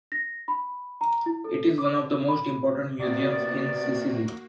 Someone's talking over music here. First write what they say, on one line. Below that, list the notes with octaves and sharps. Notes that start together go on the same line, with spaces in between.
It is one of the most important museums in Sicily.
A#6
B5
A#5
E4
A4
D6
B5
C3 A#3 B3 F#4 D5